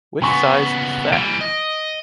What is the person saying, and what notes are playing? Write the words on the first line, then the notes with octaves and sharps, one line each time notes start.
Which size is that?
C#3 B3 G#5 C#6
E3 G3 D7
D#5